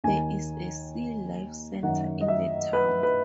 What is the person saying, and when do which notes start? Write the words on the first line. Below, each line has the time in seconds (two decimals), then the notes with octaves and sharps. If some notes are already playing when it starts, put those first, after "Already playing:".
There is a Sea Life Centre in the town.
0.04 D#2 D#3 G#5
1.83 F#2 D#3 F#5
2.21 D#5
2.28 E5
2.73 B4
3.03 B4